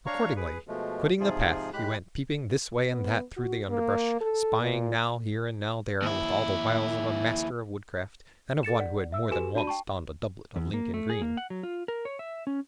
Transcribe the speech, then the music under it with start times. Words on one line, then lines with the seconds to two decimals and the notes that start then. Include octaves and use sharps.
Accordingly, quitting the path, he went peeping this way and that through the underbrush, spying now here and now there, with all the wiles of a master of woodcraft, and of one who had more than once donned a doublet of Lincoln green.
0.06 D4 C#5 F5 A#5 C#6
0.36 G#4 B4
0.68 B2 F3 G#3 A3
1.20 G#2 C3 F3 F4 G#4
1.73 A2 G#3 G4 B5 F#6
2.87 B3
3.37 F#4
3.70 A#3
4.21 A4
4.61 A#2
6.03 D#2 E4
8.63 A4 A6 C#7 E7
8.79 D5 F#5
9.12 E5 E6
9.31 F#4 G4 A4 B4 G#5 E7
9.55 D4 F#4 D5 A5 B5 D#7
9.67 G5 A5 C#6
10.56 E2
10.74 A#3
10.94 A3
11.09 G#4
11.22 A#3
11.37 F#5
11.50 F#3
11.63 F4
11.88 A#4
12.05 C#5
12.19 E5
12.47 C#4